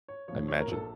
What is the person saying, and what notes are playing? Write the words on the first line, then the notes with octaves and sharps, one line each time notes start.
I imagine.
C#5
A2 F3 C#5
C#5
A#4
A#1 A4